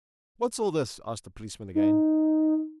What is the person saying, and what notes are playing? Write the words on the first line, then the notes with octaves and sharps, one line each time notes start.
'What's all this?' asked the policeman again.
D#4